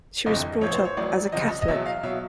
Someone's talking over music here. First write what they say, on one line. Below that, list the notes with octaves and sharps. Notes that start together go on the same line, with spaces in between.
She was brought up as a Catholic.
G1 F2 C3 E3 D#5
A1 A2 F3 C#5
C5
C#5
A1 A2 F#3 D5
C#2 C3 F3 D#5
D#5
D#5
E2 B2 F#3 E5
F5
B2 F#3 E5